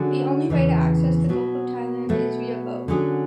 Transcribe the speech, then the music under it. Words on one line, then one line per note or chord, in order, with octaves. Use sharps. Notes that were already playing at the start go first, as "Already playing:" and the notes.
The only way to access the Gulf of Thailand is via boat.
Already playing: D3 F#3 C#4 G#4
E2 C#3 E3
B2 F#3 B3
B2 F#3 A3
D3 F#3 C#4 G#4